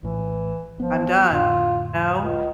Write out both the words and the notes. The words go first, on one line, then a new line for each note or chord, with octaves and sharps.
"I'm done." You know?
A#1 A2 E3
G#1 F3 B3
F2 A2 D3 F4
C#2